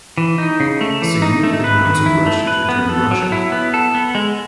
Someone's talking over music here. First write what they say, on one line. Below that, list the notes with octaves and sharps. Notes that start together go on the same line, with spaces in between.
Significant amounts of Russians returned to Russia.
E3
D#4
C#3
A3
E3
D#4
A3
B4
D#3
E4
A3
B4
B3
A4
F#3
E4
B3
A4
B3
G#3